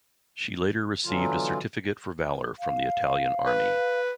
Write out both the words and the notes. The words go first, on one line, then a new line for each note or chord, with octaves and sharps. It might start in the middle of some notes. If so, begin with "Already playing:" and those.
She later received a certificate for valour from the Italian army.
B2 D3 E3 F#3 F4
F5
B4